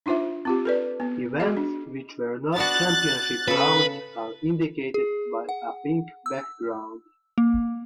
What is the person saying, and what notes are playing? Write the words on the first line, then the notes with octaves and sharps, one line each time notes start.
Events which were not championship rounds are indicated by a pink background.
D4 D#4 F4 C5 E5
C4 F4 G4
A4 B4 D5
B3
F#4 G#4 D#5
D4
B3 D4 F#4 F#6 A6
C#3 A4 B4
G#4
F#5
E6
A#3